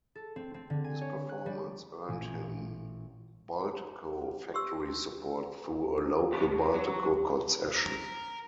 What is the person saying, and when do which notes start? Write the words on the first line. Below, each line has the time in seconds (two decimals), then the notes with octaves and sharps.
His performance earned him Bultaco factory support through a local Bultaco concession.
0.15 A4
0.36 C4
0.54 C4
0.70 D3
0.84 G#5
1.01 C#5
1.29 F#6
1.46 G3
2.08 A1 A#2 G#5 D6 D7
4.54 G4 C6 E6
6.32 C#2 G4
6.46 B2
6.74 F#3
7.77 A#4